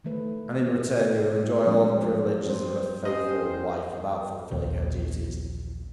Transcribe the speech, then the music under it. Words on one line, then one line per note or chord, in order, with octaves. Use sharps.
And in return you will enjoy all the privileges of a faithful wife without fulfilling her duties.
D#3 E3 A3 B4
F3 F#3 G#3 A3 C4 D4
C4 C5
C4 C#4 G4 C5 D#5
A#1 D#2